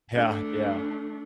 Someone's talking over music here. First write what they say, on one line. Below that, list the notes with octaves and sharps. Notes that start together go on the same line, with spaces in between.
Yeah, yeah.
A3 D4